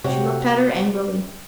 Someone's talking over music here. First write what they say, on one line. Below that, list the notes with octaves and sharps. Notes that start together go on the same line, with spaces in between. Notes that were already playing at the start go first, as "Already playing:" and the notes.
She looked at her angrily.
C3 F#4 G4 C#5